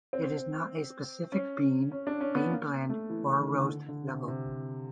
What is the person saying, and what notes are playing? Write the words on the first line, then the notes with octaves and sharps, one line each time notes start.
It is not a specific bean, bean blend, or roast level.
C4
C#4
C#4
D4
C#4
B3
A#3
A3
E3
E3
D#3
D3
D3
D3
C3
C3